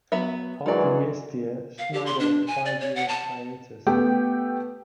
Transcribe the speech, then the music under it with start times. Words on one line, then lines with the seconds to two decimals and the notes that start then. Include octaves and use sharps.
After "Yes, Dear", Snyder had five years-hiatus.
0.12 F#3 B3 E5
0.66 D#3 E3 F#3 G#3 D5
1.78 F5
1.93 G4
2.06 C6
2.19 D4
2.47 G#5
2.65 D5
2.81 C#5
2.96 F#5
3.08 A5
3.87 A3 B3 G4 G5